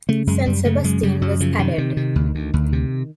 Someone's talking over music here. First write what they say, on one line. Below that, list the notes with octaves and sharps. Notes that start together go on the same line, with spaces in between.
San Sebastian was added.
C#3 A3
F#2 G#3
F#2 G3
C#3 A3
F#2 G#3
C#3 G3
F#2 F#3
C#3 F3
C3 D#3
C3
C3
D2
D2
D2
C3